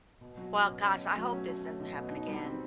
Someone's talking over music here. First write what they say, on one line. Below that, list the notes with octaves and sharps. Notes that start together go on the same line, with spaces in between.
Well, gosh, I hope this doesn't happen again,
B2
F#3
C#4
B2
C#4
A3
F#3
C#4
A3
A3
B2
B2
D#4
G3
C4